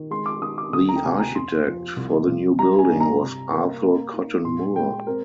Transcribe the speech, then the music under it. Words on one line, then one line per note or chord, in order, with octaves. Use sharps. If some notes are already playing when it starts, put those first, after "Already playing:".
The architect for the new building was Arthur Cotton Moore.
Already playing: D#3
G#3 C6
D6
D#3 D#6
D6
D2 D#6
A#5
G5
C3 G#5
A#5
F2 C6
F3
C2
C2
G3 A#5
G#5
G2
A#5
C3
A#3
A#3
D#4
A#2 C6
G#3 G5
C4 A#4